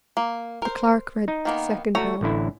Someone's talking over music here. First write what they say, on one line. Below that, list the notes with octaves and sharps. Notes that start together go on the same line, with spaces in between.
The Clerk read the second bill.
A#3
A#4 C5
D#4
D#3 A#3 B3
A3 F#4 C#5 A#5
A1 D3 E4